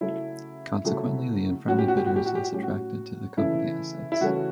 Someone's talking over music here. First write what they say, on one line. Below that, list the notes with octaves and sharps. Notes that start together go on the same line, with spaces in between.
Consequently, the unfriendly bidder is less attracted to the company assets.
C#3 F#3 A3 C#4 E4
C#3 F#3 A3 C#4
A2 F#3 C#4 F#4
G4
F#4
G4
F#4
G4
F#4
G4
F#4
A2 F#3 C#4 G4
F#4
C#3 E3 A3 C#4 E4
E4
C#3 E3 A3 C#4 F#4